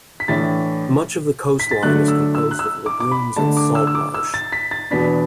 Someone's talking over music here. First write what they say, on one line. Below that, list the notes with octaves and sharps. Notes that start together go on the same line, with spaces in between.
Much of the coastline is composed of lagoons and salt marsh.
B6
A2 E3 D4 A6
B6
A6
D3 F#3 A3 D4 F#6
E6
E6
F#6
E6
D6
D6
B5
D3 A3 D4 A5
D6
E6
E6
D6
E6
A6
B6
A6
E2 B2 B3 D4 B6